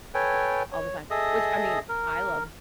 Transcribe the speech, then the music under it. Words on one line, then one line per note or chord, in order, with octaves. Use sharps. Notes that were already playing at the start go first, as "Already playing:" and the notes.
all the time," which, I mean, I love
A4 B4 C#5 G5 G#5
C#5
G#4 A4 D#5 E5 D#6
A#4